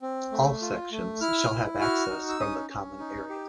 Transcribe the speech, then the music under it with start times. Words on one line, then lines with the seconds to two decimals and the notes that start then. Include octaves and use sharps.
All sections shall have access from the common area.
0.02 C4
0.32 A3
0.61 F4
0.92 A3
1.21 E4 F6
1.51 E4
1.81 F#4 F6
2.10 D#4
2.29 E6
2.40 C#4 D#6
2.70 C#4
3.00 D#4
3.30 G4